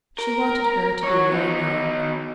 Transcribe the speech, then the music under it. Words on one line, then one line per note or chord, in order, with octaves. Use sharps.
She wanted her to be more known.
A#4
F#4 C#5
B3 D#4